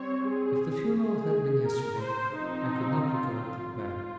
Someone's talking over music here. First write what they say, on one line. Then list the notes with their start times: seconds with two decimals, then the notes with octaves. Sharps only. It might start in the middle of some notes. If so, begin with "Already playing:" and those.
If the funeral had been yesterday, I could not recollect it better.
Already playing: G3 C4 C#5
0.28 G#4
0.98 G#4
1.67 A#4
2.02 C5
2.37 F3 C4 D#4
3.07 F4
3.76 F4